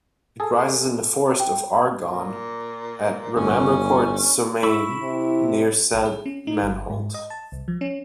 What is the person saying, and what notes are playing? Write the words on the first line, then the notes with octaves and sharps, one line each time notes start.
It rises in the forest of Argonne, at Rembercourt-Sommaisne, near Sainte-Menehould.
G#4 A4
G5
A#2
G1 C#4
E4 B5 C#6 E6
C3
B1
G#4
C#4
D#4
G1
G#2
D#5
A5
C2
F3
C#4